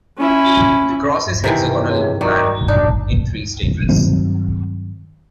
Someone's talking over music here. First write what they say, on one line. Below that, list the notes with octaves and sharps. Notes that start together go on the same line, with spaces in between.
The cross is hexagonal in plan, in three stages.
C#4 E4
C3 D#3 E3
C#2
D#3 F#3 D5
D4 D#4
G2 D#3 F#3 C4